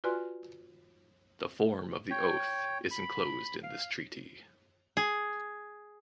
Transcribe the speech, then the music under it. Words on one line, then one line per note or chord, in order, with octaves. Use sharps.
The form of the oath is enclosed in this Treaty.
F4 F#4 B4 D5 G#5 C6
C#5 G5
B5
F5
G#4